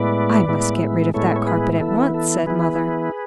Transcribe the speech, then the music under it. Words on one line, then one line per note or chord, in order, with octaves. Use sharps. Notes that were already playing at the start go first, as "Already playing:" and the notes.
'I must get rid of that carpet at once,' said mother.
Already playing: A2 G#3 B3 E4 B4 D5
A2 G#3 B3 E4
A2 G#3 B3 E4 A4 C#5
C#5
G#4 B4
E3 B3 E4 A4
A4
E3 B3 E4 G#4 B4